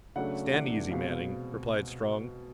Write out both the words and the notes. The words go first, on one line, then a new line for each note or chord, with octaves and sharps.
"Stand easy, Manning," replied Strong.
C#3 F#3 A3 D4 F#5
C3 E3 A3 D4 F#5
B2 G#3 C4 F5